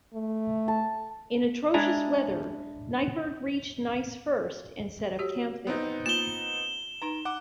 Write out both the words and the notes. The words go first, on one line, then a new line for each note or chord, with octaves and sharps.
In atrocious weather, Neipperg reached Neisse first and set up camp there.
A3
A5
G#3 D4 E4 G#5 A#5
F#4 G4 C#5
B3 C4 D#4
A#3 F4 E7 G7
D#4 B4 A#5
F#5 D6